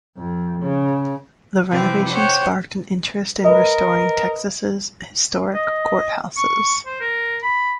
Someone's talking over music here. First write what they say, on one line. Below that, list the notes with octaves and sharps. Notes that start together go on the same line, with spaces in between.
The renovation sparked an interest in restoring Texas's historic courthouses.
F2
C#3
C3 E3 F3 C4
G4 C5 C#5 F#5
A#4 B4 D#5
D#5
C#6
C5
A#4
B5